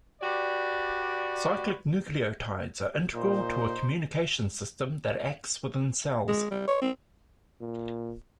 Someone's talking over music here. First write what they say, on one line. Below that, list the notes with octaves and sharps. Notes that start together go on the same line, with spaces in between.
Cyclic nucleotides are integral to a communication system that acts within cells.
F#4 G4 B4 D5
A#2 D#4 C5
G#3
G3
C#5
C4
A#2